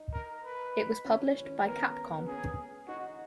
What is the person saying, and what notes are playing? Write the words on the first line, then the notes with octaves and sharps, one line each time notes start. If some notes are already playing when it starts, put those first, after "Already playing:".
It was published by Capcom.
Already playing: D#4
A#4
B4
C#4
C#4
C#4
B3 A#4
B3
C#4 G#4
D#4 F#4